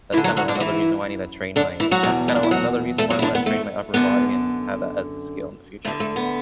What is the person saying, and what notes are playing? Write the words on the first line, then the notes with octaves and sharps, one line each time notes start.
that's kinda another reason why I need to train my that's kinda another reason why I wanna train my upper body and have that as a skill in the future.
F#2 D3 E3 E4
F#3 F#4
F#3 F#4
D3 D4
F#4
E3 E4
D3 D4
E3 E4
F#3 F#4
E2 B2
B3
D4
E4
F#3 F#4
A3 A4
F#3 F#4
E4
D3 D4
B3
A3
F#2 D3 B3
D2 D3 A3
A3
B3